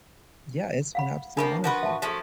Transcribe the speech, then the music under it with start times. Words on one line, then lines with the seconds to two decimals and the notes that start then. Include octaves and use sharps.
Yeah, it's been absolutely wonderful.
0.95 F5 F#5 B5
1.37 A2 F3 A#3 D4 A#4 B5
1.64 F3 F#4 B4
1.83 E5 A5
2.02 F3 F#3 A3